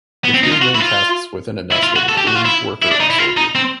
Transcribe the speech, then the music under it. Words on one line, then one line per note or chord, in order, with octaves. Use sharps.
The three main castes within a nest are the queen, worker and soldier.
B3
C4
D#4
F4
F#4
E4
F4
E4
F4
F#4
A4
G4
F#4
F4
E4
E4
D4
D#4
E4
F4
D#4
C4